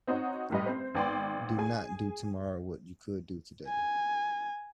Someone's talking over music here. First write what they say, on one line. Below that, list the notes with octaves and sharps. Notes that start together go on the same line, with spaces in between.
Do not do tomorrow what you could do today.
C4 D#4 F#4 C#5
F1 A2 G3 B4 D#5
C4 C5
G#1 B3 D5 G5 C6
G#4 G#5
G#5